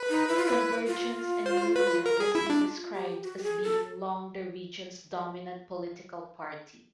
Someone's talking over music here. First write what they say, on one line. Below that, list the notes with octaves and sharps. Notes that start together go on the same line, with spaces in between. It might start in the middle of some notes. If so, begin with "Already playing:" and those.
Convergence and Union has been described as being "long the region's dominant political party".
Already playing: B4
D#4
E4
F4
E4
F4
C5
B4
A#4
G#4
E4
D4
F4
G4
F#4
G4
G#4
A4